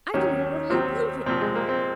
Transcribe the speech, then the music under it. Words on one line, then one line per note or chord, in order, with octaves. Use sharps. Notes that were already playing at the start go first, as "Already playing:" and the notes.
I can hardly believe it!
D#2 D#3 F#3 C#4
D#2 D#3 F#3 C4
C2 A#2 F3 C4
G#3
A#3
C4